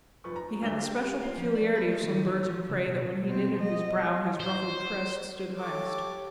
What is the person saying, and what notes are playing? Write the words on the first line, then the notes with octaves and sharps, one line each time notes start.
He had the special peculiarity of some birds of prey, that when he knitted his brow, his ruffled crest stood highest.
F1 F3 B4 C#6
A#5
D2 D3 A3 D4 E5 G7
G4
F4
F3
D5
B4
G#3
D#3
E3
F3
C#3
B2
B2 C4
D#5
C5
G4 A4 C#5 D6